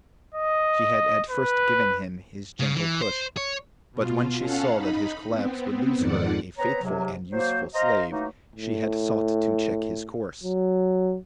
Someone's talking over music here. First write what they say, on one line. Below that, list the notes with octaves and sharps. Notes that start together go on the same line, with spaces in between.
She had at first given him his gentle push, but when she saw that his collapse would lose her a faithful and useful slave she had sought to check his course.
D#5
B4
C#3
E3
C5
C#5
B2 F4
C#4 A4 F5 F#5
D#4 B5
B3 C4
F2 G#2 D#3 F3 D5 F#5
B3 C4 B4 C#5 A#5
G#2 C3 F#3
F#3 A#3 C5
C5 D#5 F5 A#5
E3 F#3 A3 A#3 D#4
A2
F#3